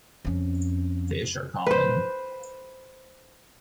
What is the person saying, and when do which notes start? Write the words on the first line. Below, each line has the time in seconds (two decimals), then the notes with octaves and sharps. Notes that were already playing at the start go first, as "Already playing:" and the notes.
Fish are common.
0.25 F2 C#4
1.66 B4 C5